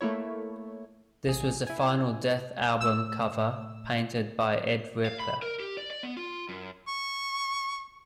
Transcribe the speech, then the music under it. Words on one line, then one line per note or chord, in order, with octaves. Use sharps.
This was the final Death album cover painted by Ed Repka.
A3 A#3 E4 C#5
A1 G#4
E4 G#5
A2 E6
F5
B5
A#4
G4
D5
D5
B3
F4
F#2
C#6